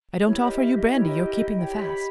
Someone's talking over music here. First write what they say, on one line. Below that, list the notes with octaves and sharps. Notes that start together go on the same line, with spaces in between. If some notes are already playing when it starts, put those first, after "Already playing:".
I don't offer you brandy, you're keeping the fast.
E4 G4 A#4 C#5
D#5
E5
D#5
E4 G4 A#4 C#5
D#5
D#5
D#5
G4 C#5 G5
B5
B5